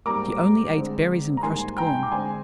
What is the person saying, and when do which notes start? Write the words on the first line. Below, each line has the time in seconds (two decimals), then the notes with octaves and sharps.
She only ate berries and crushed corn.
0.06 G#2 G3 A#3 A#5 D6
0.75 D3 G#3 C4
1.37 A#5
1.43 G#2 D#3 G3 A#3 G#5 C6
1.77 G5 A#5
2.03 D6
2.11 D3 G#3 C4 G#5 C6